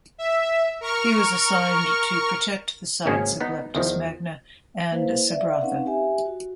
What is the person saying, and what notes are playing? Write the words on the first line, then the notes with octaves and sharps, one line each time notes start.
He was assigned to protect the sites of Leptis Magna and Sabratha.
E5
A#4 C#6 F6
G#1 C#3 A#3 C#4 G#4
B3 D#4
E2 D#3 F3
A#3 E4 B4 C5 F5
D5 E5 F5
C4 C#4 D#4 B4 F5 F#5
G4 E5 G#5
F#4